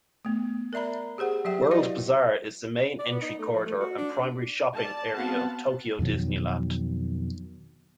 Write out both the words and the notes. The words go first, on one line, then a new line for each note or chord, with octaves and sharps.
World Bazaar is the main entry corridor and primary shopping area of Tokyo Disneyland.
A3 B3
A#4 D5 E5 A#5 B5
G4 G#4 C5 F#5
F#3 G4 E5 G5
E4 F#4 B4 D5 D#5 F5
D5
B3
D#4
A3
F3
A3
F#4
D4
D5 A5
B3 C4 F#4 F5 F#5 A5
F2 B2 D#3 F#3